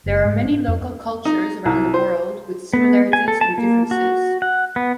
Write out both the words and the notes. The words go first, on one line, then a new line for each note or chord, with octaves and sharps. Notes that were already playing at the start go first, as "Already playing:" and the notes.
There are many local cultures around the world, with similarities and differences.
F#1
G#2
D4
F2
D#4
C2
C5
B3
G#5
A4
A5
A#3
F#4
F#5
B3